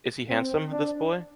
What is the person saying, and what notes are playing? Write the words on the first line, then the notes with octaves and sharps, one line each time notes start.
Is he handsome, this boy?
C4
D4